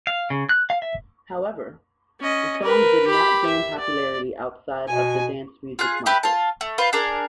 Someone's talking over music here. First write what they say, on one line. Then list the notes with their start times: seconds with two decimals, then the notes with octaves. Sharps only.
However, the song did not gain popularity outside of the dance music market.
0.07 F5
0.30 C#3
0.49 F#6
0.70 F5
0.82 E5
2.21 C#4 D#5
2.62 A#4 B4
3.07 G4 B5
3.46 E5
3.79 D5
4.88 B2 G#5
5.79 F4 G#4 F#6
6.06 E4 G4 B4
6.23 F4 A5
6.61 A3
6.78 F4 B4 C5
6.93 D4 G#4 A#4